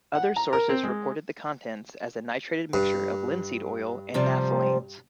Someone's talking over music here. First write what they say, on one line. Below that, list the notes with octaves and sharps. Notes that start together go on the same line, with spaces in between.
Other sources report the contents as "a nitrated mixture of linseed oil and naphthalenes".
F#5
A#5
A#4
C4
G#3
G2
C3 F3 G3